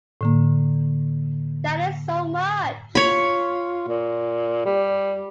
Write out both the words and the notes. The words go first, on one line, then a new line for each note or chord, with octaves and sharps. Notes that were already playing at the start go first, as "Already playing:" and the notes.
That is so much!
A2 D3 A#3
F4 C#5 B5
A#2
G3